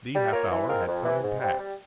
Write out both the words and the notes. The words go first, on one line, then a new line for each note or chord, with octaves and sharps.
The half-hour had come and passed.
G3
A#3 F4 A#4 C#5
E3
G#3 C4 F4 A#4
F2
C3 E3
G#2
G3 C4
G3